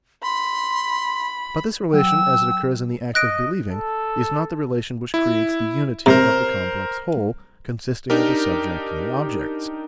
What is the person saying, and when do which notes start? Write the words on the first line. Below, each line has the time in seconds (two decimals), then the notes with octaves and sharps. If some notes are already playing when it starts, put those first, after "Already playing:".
But this relation, as it occurs in the act of believing, is not the relation which creates the unity of the complex whole consisting of the subject and the objects.
0.23 B5 C6
1.93 F#3 G5 E6
3.15 D#5 F#6 A#6 D7
3.70 A4
5.14 E4
6.06 C3 A#4 C5 A#5
8.10 D4 D#4 G4 A#4